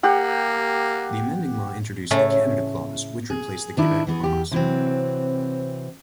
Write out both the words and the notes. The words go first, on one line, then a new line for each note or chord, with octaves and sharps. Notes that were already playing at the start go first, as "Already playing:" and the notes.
The amending law introduced the "Canada Clause" which replaced the "Quebec Clause".
A#3 G4 F#5
A2 C#3 A3 A#5
G#4
D#3 D4 E4
E3 B3 G#4
E2 G4
C3 E3 F#3 C4